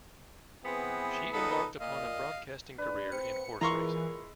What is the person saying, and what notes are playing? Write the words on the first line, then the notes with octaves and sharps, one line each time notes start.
She embarked upon a broadcasting career in horse racing.
E3 B3 C4 G#4
A#2 C#3 B3 D#4 A4 B4
A#2 D#5 F5
D4 B4
C4 C#7
A#2 E3 G#3 E4 A#5 C6 C#6